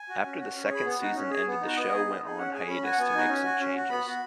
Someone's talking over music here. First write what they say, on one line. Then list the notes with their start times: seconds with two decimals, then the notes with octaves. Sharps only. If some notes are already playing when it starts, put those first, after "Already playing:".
After the second season ended the show went on hiatus to make some changes.
Already playing: G#5
0.09 F#4
0.24 C#4
0.40 F#4
0.55 C#4
0.65 C#5
0.70 G#4 B5
0.85 B3
1.00 D#4 F#4
1.15 C#4
1.30 G#4
1.47 B3
1.61 D#4
1.66 F#4
1.76 B3 D#5
1.91 D#4 G#4
2.07 B3
2.22 D#4 G#4
2.38 C#4 F#5
2.53 G#4 G#5
2.68 C#4 B5
2.83 F#4 G#5
2.92 F#5
2.98 B3 G#5
3.14 D#4 F#4
3.29 C#4
3.44 F#4
3.59 C#4
3.75 F#4
3.90 B3 B5
4.06 F#4